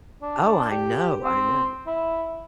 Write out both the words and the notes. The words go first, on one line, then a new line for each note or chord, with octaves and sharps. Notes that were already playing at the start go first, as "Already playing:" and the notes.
Oh, I know, I know.
D4
G4
C4
E4